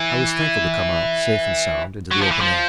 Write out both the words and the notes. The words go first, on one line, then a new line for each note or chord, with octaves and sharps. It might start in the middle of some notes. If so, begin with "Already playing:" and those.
I was thankful to come out, safe and sound, into the open air.
Already playing: E3
F#3
F3
E3
F3